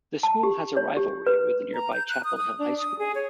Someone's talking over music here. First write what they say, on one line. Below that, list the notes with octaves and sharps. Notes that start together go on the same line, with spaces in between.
The school has a rivalry with the nearby Chapel Hill High School.
A5
G4
C#5
G4
B4
A#5
G6
F#6
D#6
D#6
D4
D#6
G#4
C#5